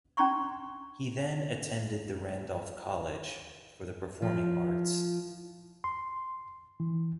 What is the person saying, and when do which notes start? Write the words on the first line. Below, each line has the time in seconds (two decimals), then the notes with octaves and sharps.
He then attended the Randolph College for the Performing Arts.
0.17 C#4 D4 A#5 C6 C#6
4.22 F3
5.84 C6
6.80 E3